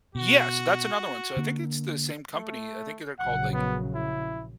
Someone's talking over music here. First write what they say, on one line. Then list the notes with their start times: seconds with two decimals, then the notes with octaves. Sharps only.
Yeah, so that's another one, so I think it's the same company, I think that they're called, like
0.15 B2 F#4
1.37 D3 A#3
2.34 A3
3.19 A#1 C#3 F#3 F#5
3.53 B3
3.95 E4